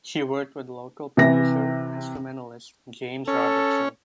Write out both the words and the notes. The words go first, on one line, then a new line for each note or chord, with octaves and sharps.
She worked with local producer and instrumentalist, James Robertson.
C3 E3 A#6
C#4 A4